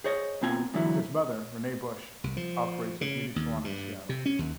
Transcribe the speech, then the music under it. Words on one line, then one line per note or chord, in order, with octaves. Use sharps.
His mother, Renee Busch, operates a beauty salon in Seattle.
G#4 C5 C#5 D#5
B2 A#3 C4 F4 G#5
G#2 D3 E3 F#3 E4
C2
F3
C#3
D#2
G2
C3
C#4
D#2